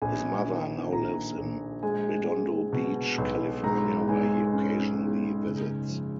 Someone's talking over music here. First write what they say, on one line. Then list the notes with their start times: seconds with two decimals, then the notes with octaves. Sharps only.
His mother now lives in Redondo Beach, California, where he occasionally visits.
0.02 A#1 G#5
0.48 D#3
0.92 A#1 A#5
1.38 A#1
1.83 G#3 G#5
2.29 G#3
2.72 B2
3.18 B1
3.63 G#2 A#5
4.09 G#2 G#5
4.53 C#4
4.99 G#2
5.44 F#1
5.89 F3